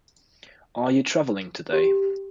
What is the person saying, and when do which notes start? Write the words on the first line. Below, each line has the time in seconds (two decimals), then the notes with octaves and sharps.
Are you travelling today?
1.73 G4